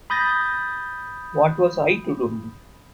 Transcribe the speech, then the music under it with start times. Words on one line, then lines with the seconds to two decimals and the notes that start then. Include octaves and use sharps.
What was I to do?
0.10 B5 D#6 G6 A6 A#6